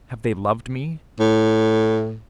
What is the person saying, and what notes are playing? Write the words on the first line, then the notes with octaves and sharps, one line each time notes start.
Have they loved me?
A2